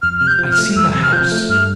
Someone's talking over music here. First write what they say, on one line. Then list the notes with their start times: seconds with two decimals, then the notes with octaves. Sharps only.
I see the house.
0.02 F2 F6
0.18 C3 F6
0.27 G6
0.39 F3
0.51 F6
0.58 A3
0.76 F2 E6
0.94 C3
1.03 F6
1.12 F3 G6
1.32 A3
1.49 G2 F6